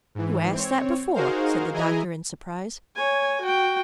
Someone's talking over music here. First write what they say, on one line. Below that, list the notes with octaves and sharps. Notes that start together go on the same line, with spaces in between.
"You asked that before," said the doctor in surprise.
G#2 E3
C4 C#5
D#4 F#4 G#4 A#4 C5 F5
E3 E4 G#4 D#5 G#5 A#5
C#5 G#5
F#4 G5